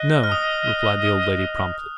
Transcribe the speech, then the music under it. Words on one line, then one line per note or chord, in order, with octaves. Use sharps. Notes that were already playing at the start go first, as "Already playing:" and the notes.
"No," replied the old lady, promptly.
Already playing: D#5 F#6
F6
D#6